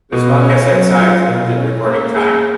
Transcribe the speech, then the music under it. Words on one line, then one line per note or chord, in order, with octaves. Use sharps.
The small cassette size limited recording time.
B2
C#4
F#3
F4
B2
C#4
A#3
G#4